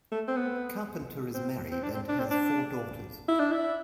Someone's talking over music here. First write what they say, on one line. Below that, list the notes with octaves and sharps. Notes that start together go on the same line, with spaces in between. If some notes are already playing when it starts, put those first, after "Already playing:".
Carpenter is married and has four daughters.
A3
C4
B3
C4
C4
D4
C4
D4
C4
D4
E4
D4
E4